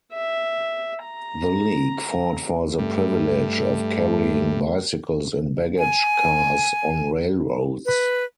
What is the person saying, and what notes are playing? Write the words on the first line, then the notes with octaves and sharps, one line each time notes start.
The League fought for the privilege of carrying bicycles in baggage cars on railroads.
E5
A#5
G2 A3
G#5
B4